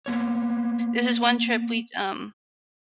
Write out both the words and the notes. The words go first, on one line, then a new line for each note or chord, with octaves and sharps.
This is one trip we, um
A#3 B3 C#5